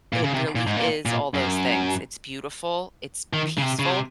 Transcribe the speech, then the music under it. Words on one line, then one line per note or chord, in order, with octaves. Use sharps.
it really is all those things, it's beautiful, it's peaceful
A#2
C#3
C3
A#2
G#2
A#2
A#2
F#2
D#3
C#3
C3
C#3
C3